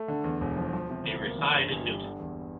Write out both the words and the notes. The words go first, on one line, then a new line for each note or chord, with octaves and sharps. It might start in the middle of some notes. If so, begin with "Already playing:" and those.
They reside in Newton.
Already playing: A3
D3
E2
E1
F3
F3
C3
D2
A#3
E3
G2
G1
G3
D3
E2